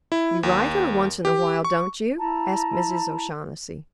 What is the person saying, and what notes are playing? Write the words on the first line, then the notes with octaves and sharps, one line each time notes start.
"You write her once in a while, don't you?" asked Mrs. O'Shaughnessy.
E4
D#2
G4
C#6
E4 A5 A#5